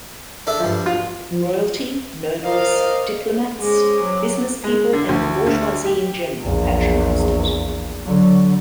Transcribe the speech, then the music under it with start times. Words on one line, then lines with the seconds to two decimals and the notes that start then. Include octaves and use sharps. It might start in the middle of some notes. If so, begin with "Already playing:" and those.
Royalty, nobles, diplomats, business people and the bourgeoisie in general patronized it.
0.47 D4 A4 E5
0.60 G2 F3
0.86 F4
1.31 F3
2.44 A#4 C5 D5 D#5 F5
3.60 G#3 C#4 C5 D6
4.04 F#3
4.64 G#3
4.93 D3
5.09 D2
5.46 D2
5.86 G4
6.41 A#1 E2
8.05 D3 F#3